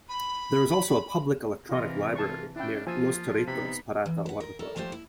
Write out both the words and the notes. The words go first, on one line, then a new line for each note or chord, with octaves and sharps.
There is also a public electronic library near Los Chorritos Pirata water park.
B5
C3 E3 F4 A#4 D#5
F4 A5 C#6
C#4 D4 E4 G5
F3 A#3 F4 G#5 E6
C3 B3 D#4 B5
E3
B4 F#5
A#4
E4 A4 A#4
F3 A3 D4 G4 C5
E4